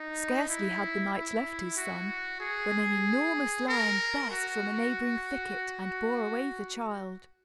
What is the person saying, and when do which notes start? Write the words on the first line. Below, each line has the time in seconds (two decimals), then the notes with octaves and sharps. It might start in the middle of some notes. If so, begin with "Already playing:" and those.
Scarcely had the knight left his son, when an enormous lion burst from a neighboring thicket and bore away the child.
Already playing: D#4
0.49 E4
1.13 E4
1.77 F#4
2.40 G#4
3.68 A#4
4.31 F#4